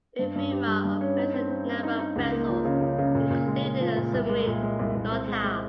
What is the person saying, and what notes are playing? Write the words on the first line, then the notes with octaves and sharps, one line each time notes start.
Ifremer operates a number of vessels, including the submarine "Nautile".
G2
G2
G4
G3
G2
C#4
D#4
C4
C4
C4
D#4
D#4
C#2
A#3
F3
C#3
C#3
C#3
A#2
A#2
G#3
G#3
F3
A#2
C2
G#3
A#2
G#3
C2
C2
C4
G#3
G#3